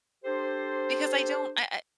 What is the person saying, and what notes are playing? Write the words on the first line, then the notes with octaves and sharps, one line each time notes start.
because I don't I
D4 G4 A4 C5